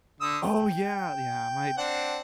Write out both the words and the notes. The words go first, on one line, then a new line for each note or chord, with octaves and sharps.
Oh, yeah, yeah, my
D3 D#6 E6
G5
C4 D4 F#5